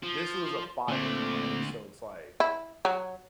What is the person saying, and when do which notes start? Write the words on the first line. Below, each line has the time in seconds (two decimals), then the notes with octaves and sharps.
This was a fire, right? So it's like,
0.03 F3
0.88 A#2 D3 A3 C4
2.40 E4
2.85 F#3